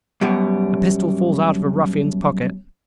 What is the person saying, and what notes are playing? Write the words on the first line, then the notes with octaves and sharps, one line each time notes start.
A pistol falls out of a ruffian's pocket.
F#2 B2 G3